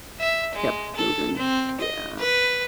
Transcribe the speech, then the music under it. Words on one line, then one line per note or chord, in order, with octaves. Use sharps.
kept moving. Yeah.
E5
G#3
A4
C4
D#5
B4